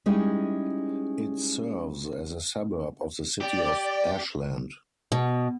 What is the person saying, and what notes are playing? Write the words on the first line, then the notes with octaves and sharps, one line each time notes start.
It serves as a suburb of the city of Ashland.
G3 G#3 C#4 D#4 E4 G#4
G4 D5
B2